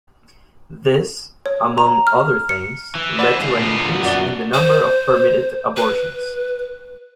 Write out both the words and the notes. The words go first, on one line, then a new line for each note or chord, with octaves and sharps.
This, among other things, led to an increase in the number of permitted abortions.
C#5
A#5
F6
C#7
E3
B4 C5 D5 F#5 E7
D3 G#3 F5
A#2 B3
F#2 F#4 D5 G7
C5
B4